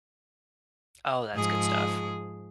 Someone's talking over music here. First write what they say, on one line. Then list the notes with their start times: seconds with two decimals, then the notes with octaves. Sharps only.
Oh, that's good stuff.
1.34 G#2 F3 G#4